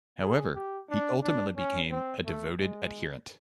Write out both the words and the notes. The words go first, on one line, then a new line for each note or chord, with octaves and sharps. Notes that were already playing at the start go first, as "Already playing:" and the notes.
However, he ultimately became a devoted adherent.
G#4
G4
D4
D4
C#4
C4
A3
G#3